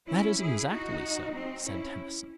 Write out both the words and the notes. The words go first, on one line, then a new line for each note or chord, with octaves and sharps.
"That is exactly so," said Tennyson.
C#4 E4
E4 G#4
D#4 F#4
C4 D#4
C#4 E4